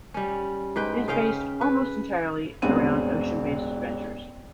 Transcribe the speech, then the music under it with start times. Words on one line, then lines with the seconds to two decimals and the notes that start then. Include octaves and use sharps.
It is based almost entirely around ocean-based adventures.
0.14 G3 C#4
0.76 G#2 B4 G5
1.08 C#3 C#4 F5 G5
1.61 B4
2.62 E1 A1 B3 C4 D#7